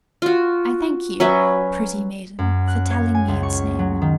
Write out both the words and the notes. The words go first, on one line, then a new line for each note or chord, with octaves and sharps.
I thank you, pretty maiden, for telling me its name.
F4 F#4
F#3 C#4 B4 E5
F#2
F#6
C#5
G#5
C#2
C#6
F#3
D#3